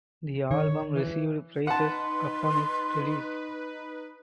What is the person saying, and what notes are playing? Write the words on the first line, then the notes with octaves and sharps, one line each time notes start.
The album received praise upon its release.
D#3 C#5
E3
D#4 B4 F#5 A5 C6